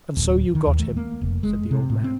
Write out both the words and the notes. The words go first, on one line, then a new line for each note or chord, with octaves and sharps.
'And so you got him!' said the old man.
D1
D#3
D#2
A3
A#3
F1
G#3
C3
A2
C4